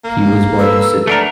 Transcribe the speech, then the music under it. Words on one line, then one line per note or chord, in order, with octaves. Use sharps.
He was born in Sydney.
A#3
A4 B4 E6
A3 D4 A#4 F#5